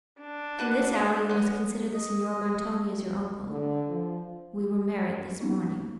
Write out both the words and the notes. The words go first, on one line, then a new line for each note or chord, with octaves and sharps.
From this hour you must consider the Signor Montoni as your uncle--we were married this morning.'
D4
F#4 B4 F#5
B3 C#4
D#5
D3
F3
A#3 B3 C#4 D#4